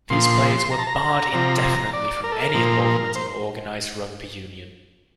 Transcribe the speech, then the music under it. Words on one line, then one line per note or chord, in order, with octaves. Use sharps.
These players were barred indefinitely from any involvement in organised rugby union.
A#2 F3 C6
A#5
A5
A#5
C3 F3
A#5
D5
A#4
A4
A#4
A#2 F3
A#4
C5